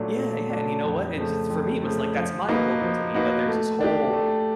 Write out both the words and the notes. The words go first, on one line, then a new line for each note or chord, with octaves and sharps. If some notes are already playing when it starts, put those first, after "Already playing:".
Yeah, yeah, and you know what? It just for me it was, like, that's mind blowing to me that there's this whole
Already playing: A#2 F#3 A3 D4
A#2
F#3 A3 D4
F2
C#3 F3 A3
F2
C#3 F3 A3
F3
A#3 D#4 F#4 B4
F3
A#3 D#4 F#4 B4
A3
D4 G4
A3